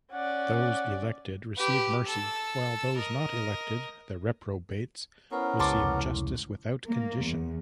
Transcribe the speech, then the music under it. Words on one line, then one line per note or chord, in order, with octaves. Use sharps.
Those elected receive mercy, while those not elected, the reprobates, receive justice without condition.
C#4 D5 F#5
G4 B4
A4 E6
A#4 D#5
B3 C#4 E4 A#4 C5 B5
C#2 E4 A4 C6 D6
F1 C#2
A#3
E2